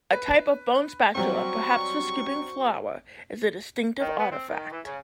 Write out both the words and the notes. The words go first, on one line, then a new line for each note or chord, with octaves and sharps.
A type of bone spatula, perhaps for scooping flour, is a distinctive artifact.
B4
F#3 G3 C4 F#4 C5 C#6
D#3
B3
C4
D#3
E3
C#3